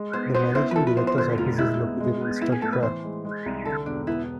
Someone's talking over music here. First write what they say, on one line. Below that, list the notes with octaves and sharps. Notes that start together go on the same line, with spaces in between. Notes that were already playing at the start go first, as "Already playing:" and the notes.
The managing director's office is located in Stuttgart.
Already playing: G#3
B3 C5
B3 C5
E4 C5
B4
F3 A4
B4
B3 C5
C5
D3 C5
F1 F4
G#3 E4
B3
G#3
B3
B3 E4
G#4
A2 A4
B4
E3 C5
G#3
G#3
C2
D3 A4
E1 D4
B3 E4